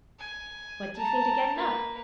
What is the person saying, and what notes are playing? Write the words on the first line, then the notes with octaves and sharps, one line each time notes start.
"What do you say to gettin' up?"
G#5
A5 A#5
A#3 B4